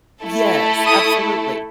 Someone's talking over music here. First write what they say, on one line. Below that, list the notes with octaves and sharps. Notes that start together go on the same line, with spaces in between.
Yes, absolutely.
A3 E4 A4
D#6